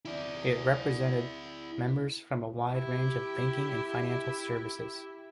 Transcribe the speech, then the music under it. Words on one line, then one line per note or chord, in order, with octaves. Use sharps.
It represented members from a wide range of banking and financial services.
E4 D5
E4 G4